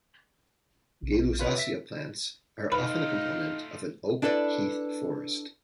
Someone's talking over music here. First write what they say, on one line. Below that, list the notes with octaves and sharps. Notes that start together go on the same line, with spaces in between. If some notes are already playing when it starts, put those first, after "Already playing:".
"Gaylussacia" plants are often a component of an oak-heath forest.
A#1
F4 B4 C#5
E5 B6
A3 D#4 F4 B4 F5
D4 E4 A4 B4 D5